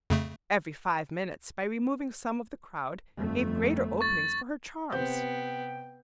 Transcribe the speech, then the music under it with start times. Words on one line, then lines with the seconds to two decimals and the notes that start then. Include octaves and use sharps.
Every five minutes, by removing some of the crowd, gave greater openings for her charms.
0.10 F2 C#3 A3
3.18 G1 F2 A3
4.01 C#6 A6
4.92 C3 B3 C5 G5 G6